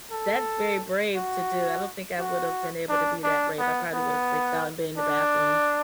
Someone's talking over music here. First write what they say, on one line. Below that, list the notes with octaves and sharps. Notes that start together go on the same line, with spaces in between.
that's very brave to do, I don't think I would have been able to be that brave, I probably would have freaked out and been in the bathroom,
A4
F#4
F#4
D4
D4
B3
B3
D4